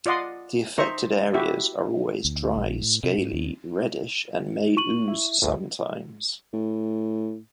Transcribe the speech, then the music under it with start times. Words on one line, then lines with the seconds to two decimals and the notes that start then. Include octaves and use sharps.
The affected areas are always dry, scaly, reddish and may ooze sometimes.
0.06 F4 D5 D#5 F#5 C6 D#6
0.78 D#4 C5 E5 A#5 C#6
1.34 E4 F#4 G4 E5
2.25 D2
2.58 A#1
2.81 A2
3.03 C3
3.18 G#2
3.33 D#2
4.77 C#6 D#7 F#7
5.08 E4
5.42 G1 D2 A2
6.53 A2